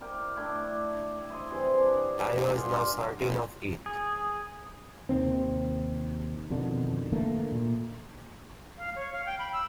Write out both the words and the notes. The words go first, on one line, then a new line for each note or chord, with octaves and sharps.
I was now certain of it.
E4 A#4 D5 G5
A3 D4 E4 G5
E4 D#5 C6
C3 E3 G#4
D4
G2 F4 G#4 F#5
G#4
D#2 C3 D#3 C4
F2 B2 D3 D#3
D3 E3 A3 A#3
A#2
F5
C#5
F5
G5
B5
E6